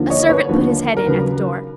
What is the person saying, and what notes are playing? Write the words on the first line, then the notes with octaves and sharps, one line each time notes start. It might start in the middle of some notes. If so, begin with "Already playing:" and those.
A servant put his head in at the door.
Already playing: D#2 D3 F3 A#3
C#5 D#5
B4 C#5
D#2 D3 F3 A#3 B4
A#4
D#2 C#3 F#3 B4